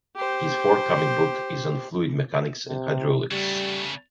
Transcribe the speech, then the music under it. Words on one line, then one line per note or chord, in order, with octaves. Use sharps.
His forthcoming book is on Fluid Mechanics and Hydraulics.
G4 C5
C3
C#3 G3 A3